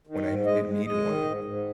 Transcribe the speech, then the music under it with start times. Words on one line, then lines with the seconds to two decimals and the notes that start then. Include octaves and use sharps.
when I n did need one.
0.07 D#3
0.27 G#2
0.46 G#3 D#5
0.66 G#3
0.86 G#3 D#5
1.05 D#3
1.25 G#2
1.44 G#2